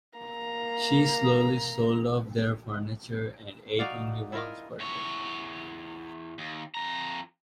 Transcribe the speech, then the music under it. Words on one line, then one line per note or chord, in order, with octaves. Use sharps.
She slowly sold off their furniture and ate only once per day.
A#3 A#5
D#4 F#4 D5 F5
E4 F4 A#4 D#5
E2 C#5
D#2
F2 A#5